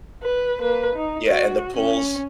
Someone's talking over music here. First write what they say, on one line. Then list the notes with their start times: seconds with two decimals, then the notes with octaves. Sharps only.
yeah, and the pools
0.23 B4
0.60 A#3 B4
0.95 D#4
1.29 F#4
1.77 C#4